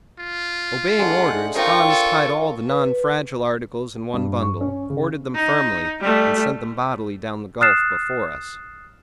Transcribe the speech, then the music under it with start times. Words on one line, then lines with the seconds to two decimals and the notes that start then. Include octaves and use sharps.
Obeying orders, Hans tied all the non-fragile articles in one bundle, corded them firmly, and sent them bodily down the gulf before us.
0.19 F4
0.99 G#3 A3 D4 F#5
1.55 D#4 F4 A#4 C5 G5 A5 C#6
1.89 A4
2.69 B4
4.14 G2
4.43 C#6
4.61 C#4
4.90 C#3
5.35 D#4
6.00 G3 A3
7.61 D#6 F6 F#6 A6 C7 E7